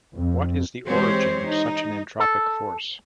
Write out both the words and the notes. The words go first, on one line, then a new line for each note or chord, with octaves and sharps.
What is the origin of such an entropic force?
F2
E3 G#3 C4 G4 C5 C#5
D#4
A4